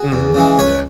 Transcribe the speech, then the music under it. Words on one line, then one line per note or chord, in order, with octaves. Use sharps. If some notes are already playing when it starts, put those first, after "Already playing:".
Mhm. Yeah.
Already playing: F#4 G#4
E2
C#3 E3 G#3
C#2 B4 C#5